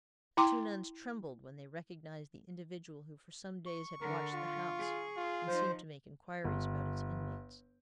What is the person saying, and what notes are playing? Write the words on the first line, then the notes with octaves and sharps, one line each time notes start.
The two nuns trembled when they recognized the individual who for some days had watched the house and seemed to make inquiries about its inmates.
E4 G5 A#5 C6 D6
C#6
D3 A#4
F4
G#4
F4
F3 D#4 C5
G1